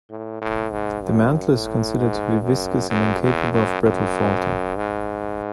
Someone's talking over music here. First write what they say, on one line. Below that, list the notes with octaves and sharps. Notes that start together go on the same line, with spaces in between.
The mantle is considered to be viscous and incapable of brittle faulting.
A2
A2
G#2
F#2
A2
G#2
F#2
F#2
E2
F#2
F#2
G#2